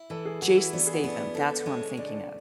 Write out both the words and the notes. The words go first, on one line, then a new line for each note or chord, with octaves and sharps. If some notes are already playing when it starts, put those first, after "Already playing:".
Jason Statham, that's who I'm thinking of.
Already playing: E4
E3 A4
G#4
E3 F#4
E4
B3 D4
G#4
F#4
B3 D4
E4
D4 A4
G#3 C#4
D3 D4